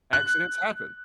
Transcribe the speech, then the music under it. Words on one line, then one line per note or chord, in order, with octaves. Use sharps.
Accidents happen.
F#6